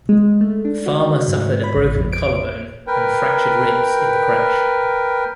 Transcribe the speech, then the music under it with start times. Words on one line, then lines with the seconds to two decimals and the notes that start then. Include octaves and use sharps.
Farmer suffered a broken collarbone and fractured ribs in the crash.
0.09 G#3
0.41 A3
0.65 D4
0.86 F#4
1.28 G#2
1.64 B5
1.76 A1
1.96 F2
2.12 D7
2.87 A#4 B4 G5